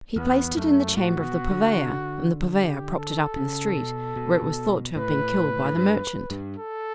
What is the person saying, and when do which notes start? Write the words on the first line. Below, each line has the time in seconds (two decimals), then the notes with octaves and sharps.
He placed it in the chamber of the purveyor, and the purveyor propped it up in the street, where it was thought to have been killed by the merchant.
0.16 E2 B3
0.57 F#2 A3
0.96 A2 F#4
1.23 B2
1.50 D3
2.57 G4
2.97 A4
3.36 C#3
3.77 B2
4.16 B2
4.96 A2 B4
5.65 A2
5.76 G2
6.31 G2
6.56 A4